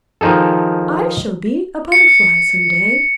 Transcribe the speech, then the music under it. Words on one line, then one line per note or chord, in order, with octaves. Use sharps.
"I shall be a Butterfly some day!"
D#3 F3 D#4 G#4 A4
C#7